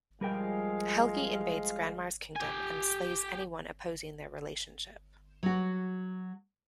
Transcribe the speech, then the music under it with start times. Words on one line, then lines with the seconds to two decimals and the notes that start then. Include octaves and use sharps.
Helgi invades Granmar's kingdom and slays anyone opposing their relationship.
0.21 F3 G3 G#3 A#4 F5 G5
2.36 G4 G#5
5.43 F#3 F#4